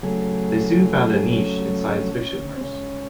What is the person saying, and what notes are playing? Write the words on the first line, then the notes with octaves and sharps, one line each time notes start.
They soon found a niche in science fiction works.
C#3 F#3 A3 G#4
C#4
C4
C#3 G#3 C#4